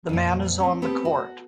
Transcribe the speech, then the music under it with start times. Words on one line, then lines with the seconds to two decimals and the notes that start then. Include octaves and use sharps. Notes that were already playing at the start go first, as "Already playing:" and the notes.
The man is on the Court.
0.09 F2 A#2
0.60 C4 C#4
0.82 B3 C4 G4 A4
1.05 F#4